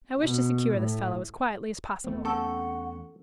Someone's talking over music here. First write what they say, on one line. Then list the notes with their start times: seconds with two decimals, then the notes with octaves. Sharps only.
I wish to secure this fellow as quietly as possible.
0.18 B2
0.75 A2
2.04 E2 A3 C4
2.25 C#4 A4 F#5 C#6